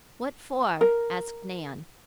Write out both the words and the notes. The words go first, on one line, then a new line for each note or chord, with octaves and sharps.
"What for?" asked Nan.
A#4